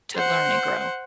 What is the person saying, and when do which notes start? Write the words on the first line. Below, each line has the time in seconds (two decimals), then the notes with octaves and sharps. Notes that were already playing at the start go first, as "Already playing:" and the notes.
to learn and grow.
0.16 C5 F#5